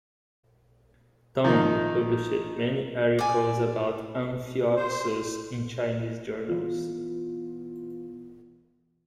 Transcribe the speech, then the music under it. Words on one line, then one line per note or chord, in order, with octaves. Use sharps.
Tong published many articles about amphioxus in Chinese journals.
D#3 F3 A#3 D#4
D5 G#5
C5
E3 B3 F4